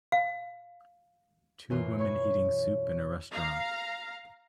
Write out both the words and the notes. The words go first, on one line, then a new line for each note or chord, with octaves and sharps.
Two women eating soup in a restaurant.
F5
F#2 B2 E3 A#3 F4
C#5 B5 C#6 G#6
F5 A#5